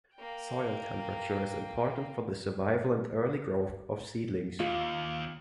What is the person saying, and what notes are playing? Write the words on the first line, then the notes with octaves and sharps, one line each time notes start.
Soil temperature is important for the survival and early growth of seedlings.
A#3 G5
D#2 F4